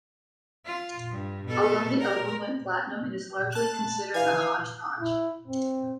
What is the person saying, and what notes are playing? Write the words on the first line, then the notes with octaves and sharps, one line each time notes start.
Although the album went Platinum it is largely considered a hodgepodge.
F4
G2
B2 A4
A#4
A5 F#6
E3 F5 G#5
E4
C4